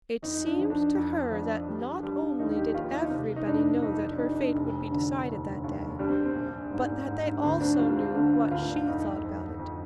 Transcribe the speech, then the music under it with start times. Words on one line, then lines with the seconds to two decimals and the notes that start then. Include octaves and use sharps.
It seemed to her that not only did everybody know that her fate would be decided that day, but that they also knew what she thought about it.
0.22 F2 D#4
0.47 D4
0.59 F3
0.70 D4
0.95 F2
1.31 F3
1.67 G3
2.03 G3
2.39 D#2 D#4
2.56 G4
2.74 D#2 F4
2.92 D#4
3.11 C3
3.36 D#4
3.46 F2 D4
3.82 F2 D#4
4.01 D#4
4.19 F2 D#4
4.37 D4
4.55 F1
4.91 D3
5.27 D#2
5.64 D#2
5.99 G3 D4
6.08 C4
6.26 C4
6.35 A#1
6.71 G#2
7.08 G#2
7.43 D2 C4
7.61 D4
7.79 G3 F4
7.97 C4
8.15 D3 D4
8.33 F4
8.51 D2 F4
8.70 D4
8.88 F2 D#4
9.23 F2
9.59 F2